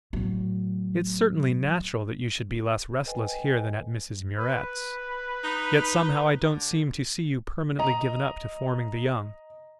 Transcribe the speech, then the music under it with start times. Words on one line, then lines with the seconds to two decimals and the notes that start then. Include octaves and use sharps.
"It's certainly natural that you should be less restless here than at Mrs. Murrett's; yet somehow I don't seem to see you permanently given up to forming the young."
0.13 A2 F#3
3.06 A4 B4 C5 D#5 G5 G#5
4.39 B4
5.44 D#4
6.42 D3
7.79 D#5 A#5